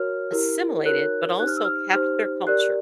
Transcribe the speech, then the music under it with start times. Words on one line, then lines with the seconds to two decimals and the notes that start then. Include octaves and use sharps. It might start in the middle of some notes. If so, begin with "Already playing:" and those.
assimilated, but also kept their culture.
Already playing: F#4 A#4 C#5 F6
0.32 E4 G4 A#4
0.86 D#4 F#4 A#4 C#5 F#6
1.40 D#4 G4 C5 F#6
1.48 F6
1.57 E6
1.65 F6
1.93 D#4 G4 C5 F6
2.47 G4 A#4 D5 F#6